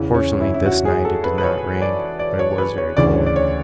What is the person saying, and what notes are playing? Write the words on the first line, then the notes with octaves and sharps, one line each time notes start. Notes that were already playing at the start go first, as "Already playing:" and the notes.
Fortunately this night it did not rain, but it was very cold.
Already playing: E2 C#3 E3
C#4
E4
E4
F#4
G#4
A4
B4
B4
C#5
D5
D5
C#5
B4
C#5
D2 C#3 E3 D5
C#5
D5
C#5